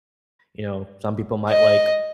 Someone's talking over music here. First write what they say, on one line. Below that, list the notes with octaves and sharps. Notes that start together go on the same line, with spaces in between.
you know, some people might like
D#5